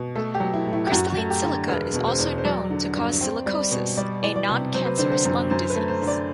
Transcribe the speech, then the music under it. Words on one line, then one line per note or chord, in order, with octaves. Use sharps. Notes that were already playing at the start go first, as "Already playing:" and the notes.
Crystalline silica is also known to cause silicosis, a non-cancerous lung disease.
Already playing: B2
A3 A4
G4
F#3
E4
A2
E4
G4
F#2 F#4
A3
G4
D3
E1 B4
B2
C5
E2
C5
F#3 D5
D3
G2
C4
G3
B2
G3 D5
E3 D5
D5
C3
F#3 C5
B4
D3 C5
C5
F#2
F#2 C5
B4
A3
C5
D3
D5